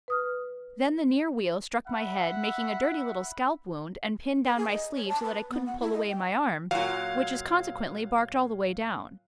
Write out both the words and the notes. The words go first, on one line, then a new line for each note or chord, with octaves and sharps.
Then the near wheel struck my head, making a dirty little scalp wound, and pinned down my sleeve so that I couldn't pull away my arm, which is consequently barked all the way down.
B4 D#6 F6
E5 F#5 B5
B4
G#4
D#5
C#5
A5
B4
B3
F#5
E4
D#5
G5
A#2 F#3 F5